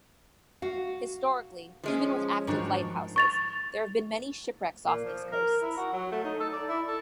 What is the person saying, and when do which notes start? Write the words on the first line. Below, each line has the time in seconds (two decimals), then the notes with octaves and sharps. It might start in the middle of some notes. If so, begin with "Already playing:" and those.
Historically, even with active lighthouses, there have been many shipwrecks off these coasts.
0.62 F#4 F5
1.84 F3 G#3 C#4
2.47 G#2 D#3 F3 D4 F#4
3.16 C#6 A6 F7
4.86 A#2
5.04 F3
5.32 A#4
5.62 E4
5.77 F#4
5.93 F#3
6.11 A3
6.24 D#4
6.40 A4
6.52 D5
6.68 E4
6.87 A4